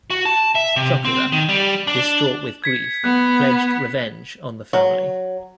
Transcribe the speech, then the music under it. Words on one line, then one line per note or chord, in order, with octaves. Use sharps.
Chocorua, distraught with grief, pledged revenge on the family.
F#4
A5
E5
C3
C4
D#3
G3
D4
G#6 B6 C#7
B3 F#6
F#3